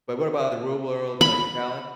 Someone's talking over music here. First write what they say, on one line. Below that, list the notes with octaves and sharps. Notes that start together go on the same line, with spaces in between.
But what about The Real World, like, Challenge?
B5